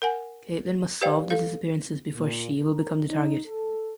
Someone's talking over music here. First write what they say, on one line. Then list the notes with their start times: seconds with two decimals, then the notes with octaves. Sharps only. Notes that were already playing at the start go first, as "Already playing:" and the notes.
Caitlin must solve the disappearances before she will become the target.
0.02 A#4 F#5 G#5
1.01 G4 B4 C5 D5 F5 G5
1.30 A4 F5
2.15 A#2
2.61 A#4
3.08 D#4
3.45 A4